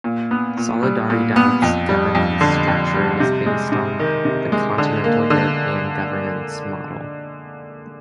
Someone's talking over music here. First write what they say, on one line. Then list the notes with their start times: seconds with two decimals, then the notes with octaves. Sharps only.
Solidaridad's governance structure is based on the continental European governance model.
0.04 A#2
0.31 B3
0.57 A#2
0.83 G3
1.10 A#2
1.36 B3
1.62 F2
1.89 G3
2.15 F2
2.41 D3
2.67 F2
2.94 G3
3.20 C3
3.46 G#3
3.72 C3
3.99 D#3
4.25 C3
4.52 G#3
4.78 D3
5.04 A#3
5.30 D3